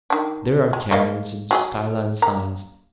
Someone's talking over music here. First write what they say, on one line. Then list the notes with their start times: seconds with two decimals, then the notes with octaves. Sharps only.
There are cairns and skyline signs.
0.10 D#3 D4
0.73 G#3
0.91 A#3 D#5 F5
1.51 F#3 G#4 D#5
2.22 A#3 A#5